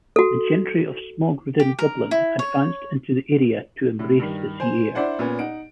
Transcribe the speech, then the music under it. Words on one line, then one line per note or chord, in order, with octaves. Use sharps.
The gentry of smog-ridden Dublin advanced into the area to embrace the sea air.
F#4 A4
G4
A#4
E4
C#5
A2
G2 D#3
C5 G#5
D4 E4 C5 D5 F#5
A#2 B3 C#4
D#4 F#5 D7